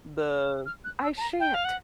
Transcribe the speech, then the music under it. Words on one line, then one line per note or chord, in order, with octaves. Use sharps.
the "I shan't,
F6
F#6
E6
A5
A#5
G5
F5
F#5